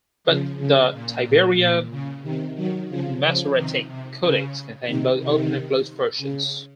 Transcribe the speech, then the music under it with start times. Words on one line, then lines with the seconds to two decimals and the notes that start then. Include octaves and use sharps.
But the Tiberian masoretic codices contain both open and closed portions.
0.24 C#3 F3
0.58 C#3
0.92 A#2
1.24 A#2
1.56 A#2
1.90 C#3
2.23 C3 D#3
2.55 D#3 F#3
2.89 C#3 F3
3.21 C#3 F3
3.54 C3 D#3
3.88 C3
4.21 C#3
4.86 C3 D#3
5.19 C3 D#3
6.18 C#3